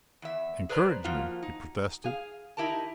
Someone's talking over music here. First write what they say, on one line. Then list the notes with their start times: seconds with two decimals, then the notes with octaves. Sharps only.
"Encouraged me!" he protested.
0.22 E2 E5
0.69 G#4 B4 C5 D5 A#5
1.04 F3 A#3 F4 F#4
1.43 D#4
2.04 G#4 F5
2.57 D#4 E4 G4 A#4 A5